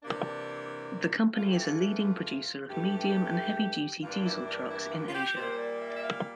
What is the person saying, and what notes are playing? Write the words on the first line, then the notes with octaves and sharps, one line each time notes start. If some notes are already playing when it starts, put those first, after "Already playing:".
The company is a leading producer of medium and heavy-duty diesel trucks in Asia.
C3 E3 A#3 D4
G2 E3 A3 F4
G4
F4
G2 E3 A3 G4
G2 E3 A#3 D4 F4
E4
D4
E4
F4
F4
G4
A#2 G3 A#3 C5
C5
D5
E5
D5
E5
F5